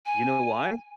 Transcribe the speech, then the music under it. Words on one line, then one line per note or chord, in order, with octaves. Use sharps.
you know why?
G#5